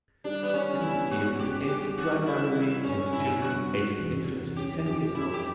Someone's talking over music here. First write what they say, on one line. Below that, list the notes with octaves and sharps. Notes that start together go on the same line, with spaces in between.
The museum is aimed primarily at children ages infant to ten years old.
G3 D4
B3
G3 C#4
B3 E4
G3 F#4
C#3 G4
G3 G4
G3 F#4
G3 E4
G3 E4
G2 C#4
D3 E4
G2 F#4
G3
E2
E2
C#4 G4
F#2 G4
F#2 E4
G4